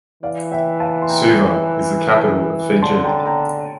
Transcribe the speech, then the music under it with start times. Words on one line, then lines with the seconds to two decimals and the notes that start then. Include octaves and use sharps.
Suva is the capital of Fiji.
0.23 E3 D5 F5
0.52 E5 G5
0.80 F5 A5
1.02 C6
1.09 G5 A#5
2.83 D3 A5 C6
3.04 G5 A#5
3.26 G5 A#5